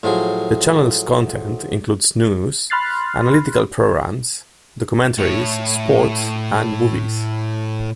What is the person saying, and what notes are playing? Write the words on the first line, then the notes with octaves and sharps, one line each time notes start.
The channel's content includes news, analytical programs, documentaries, sport and movies.
A2 F3 F#3 G#4
B5 C6 F6 F#6 A6 C7
A2 C#5